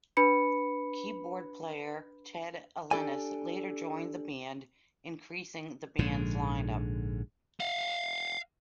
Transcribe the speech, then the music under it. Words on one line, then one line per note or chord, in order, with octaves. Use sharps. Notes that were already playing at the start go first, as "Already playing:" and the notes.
Keyboard player Ted Ellenis later joined the band increasing the band's lineup.
D4 B4 B5 C#7
D4 G4 A4 D5 G#5
A#1 G#2 D3
F5 F#5